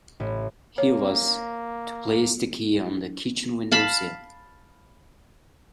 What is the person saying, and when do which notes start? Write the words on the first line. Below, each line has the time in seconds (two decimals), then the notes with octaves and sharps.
He was to place the key on the kitchen window-sill.
0.20 A1
0.78 A#3 C#5
3.72 F5 A5 B5